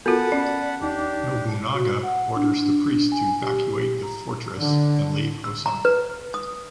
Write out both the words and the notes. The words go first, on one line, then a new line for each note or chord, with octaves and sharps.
Nobunaga orders the priest to evacuate the fortress and leave Osaka.
B3 F4 F#4 A4 A#4 F#5 A5 B5
C#4 D5
D#2 D4 D#4 G4
F#4
F#5
D4
G#5
G4
A#5
D3
E6
A#5
B4
D#6